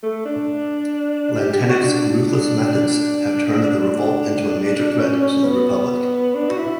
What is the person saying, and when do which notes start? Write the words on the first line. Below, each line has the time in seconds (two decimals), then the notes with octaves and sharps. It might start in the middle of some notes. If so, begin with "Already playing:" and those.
Lantenac's ruthless methods have turned the revolt into a major threat to the Republic.
0.03 A3
0.25 D4
1.38 G4
1.53 G4
1.69 F#4
1.83 D4
2.74 D4
3.64 D4
5.00 C#4
5.22 C#4
5.44 B3
6.35 D4
6.49 F#4
6.57 E4